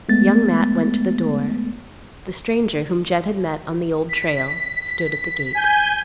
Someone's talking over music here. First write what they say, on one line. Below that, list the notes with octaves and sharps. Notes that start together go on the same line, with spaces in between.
Young Matt went to the door. The stranger, whom Jed had met on the Old Trail, stood at the gate.
G#3 A3 B3 A6
B6
G#5 G6